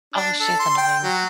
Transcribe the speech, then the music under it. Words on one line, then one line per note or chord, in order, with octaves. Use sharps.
Oh, she's annoying.
D4
A4
C6
G5
F#3